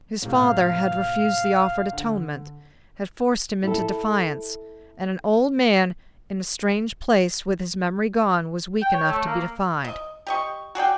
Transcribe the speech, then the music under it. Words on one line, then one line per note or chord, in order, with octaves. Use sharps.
His father had refused the offered atonement--had forced him into defiance; and an old man in a strange place, with his memory gone, was weak enough to be defied.
A2 C3 F5
D3
E4 A4
G5
C#5
A3
A#3
D#5
G4 D#5 C#6
F#4 G#4 D5 G5